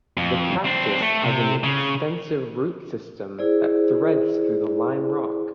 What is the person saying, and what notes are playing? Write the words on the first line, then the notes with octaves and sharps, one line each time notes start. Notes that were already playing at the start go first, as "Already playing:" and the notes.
The cactus has an extensive root system that threads through the lime rock.
F2
C4 D4
A3
C3
C#3
E4 G#4 C5 D5